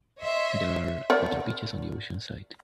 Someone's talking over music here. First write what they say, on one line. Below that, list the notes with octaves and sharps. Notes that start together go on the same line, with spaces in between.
There are other beaches on the ocean side.
C#5 D#5 E5 C6
A#4 D5 F#5